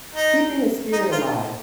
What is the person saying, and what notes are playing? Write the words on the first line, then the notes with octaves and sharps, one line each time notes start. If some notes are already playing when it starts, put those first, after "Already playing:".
Keeping his spirit alive.
D#4
D#4
F4